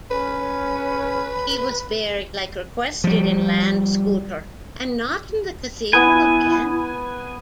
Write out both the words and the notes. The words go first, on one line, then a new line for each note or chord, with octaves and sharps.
He was buried like requested in Landskouter, and not in the Cathedral of Ghent.
C#4 B4
F3 G3
B3 E4 B4 G#5